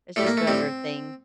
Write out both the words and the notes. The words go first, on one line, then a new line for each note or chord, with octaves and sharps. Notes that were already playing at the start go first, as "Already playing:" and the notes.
It's just another thing.
A2 G3 A3
A#3
A3
A2 G3 C4